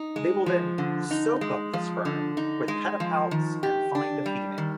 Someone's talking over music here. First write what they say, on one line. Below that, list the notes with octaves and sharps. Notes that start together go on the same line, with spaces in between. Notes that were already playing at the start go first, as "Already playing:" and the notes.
They will then "soak" up the sperm with its pedipalps and find a female.
Already playing: D#4
G#3
F3
D3
D#4
G#3
F3
D3
D#4
G#3
F3
D#3
G4
D4
G3
D#3